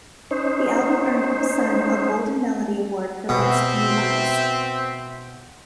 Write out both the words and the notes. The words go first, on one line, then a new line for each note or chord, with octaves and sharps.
The album earned Sun a Golden Melody Award for Best New Artist.
C#4 D#4 C5
B2 C4 E5 G5